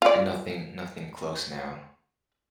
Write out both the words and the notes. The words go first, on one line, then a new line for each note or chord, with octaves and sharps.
But nothing nothing close now.
F4 D5